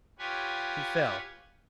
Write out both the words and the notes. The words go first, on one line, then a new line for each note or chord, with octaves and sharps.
He fell.
F4 G4 B4 C#5 F#5 G#5